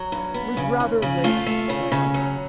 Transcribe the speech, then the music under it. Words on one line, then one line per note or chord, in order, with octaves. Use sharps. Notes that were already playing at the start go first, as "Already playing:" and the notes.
It was rather late in the sale.
Already playing: F#3
G2
B3
C#3
D#2
C#3
A3 F4
A3
C#3
C#3
F#3